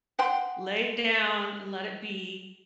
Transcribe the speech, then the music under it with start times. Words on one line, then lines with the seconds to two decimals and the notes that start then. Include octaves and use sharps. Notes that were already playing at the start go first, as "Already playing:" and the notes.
lay it down and let it be,
0.19 F#5 G5 C6